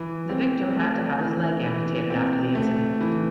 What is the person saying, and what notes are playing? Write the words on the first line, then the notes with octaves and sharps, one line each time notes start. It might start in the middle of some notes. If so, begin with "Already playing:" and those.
The victim had to have his leg amputated after the incident.
Already playing: E3
C4
A3
E3
E3
C4
A3
E3